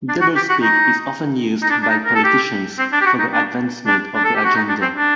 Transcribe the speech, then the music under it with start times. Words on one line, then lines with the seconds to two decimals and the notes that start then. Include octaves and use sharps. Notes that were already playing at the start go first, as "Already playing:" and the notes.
Doublespeak is often used by politicians for the advancement of their agenda.
0.09 D4
0.21 F#4
0.36 G4
0.50 F#4
0.62 D#4
1.62 D#4
1.70 D4
1.83 D4
1.89 D#4
2.05 A#4
2.15 A4
2.24 G4
2.79 C4
2.92 D4
3.01 G4
3.06 F#4
3.19 D#4
3.33 D4
3.86 D4
4.15 D4
4.24 A4
4.35 G4
4.44 F#4
4.55 D#4
4.69 D4
4.82 C4
4.95 D4